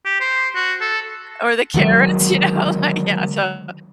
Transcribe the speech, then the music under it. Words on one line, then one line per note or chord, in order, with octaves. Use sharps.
or the carrots, you know, like, yeah, so
G4
C5
F#4
A4
D3 D#3 F#3 G#3